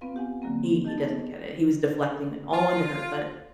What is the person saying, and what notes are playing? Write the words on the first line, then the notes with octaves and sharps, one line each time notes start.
He he doesn't get it. He was deflecting it all onto her, but
B3 C4 F4 B4 F5
G4 F#5 G#5
D3 F#3 A#3 C4
G4 D#5 A5 A6
B3 D#4 G#4
F4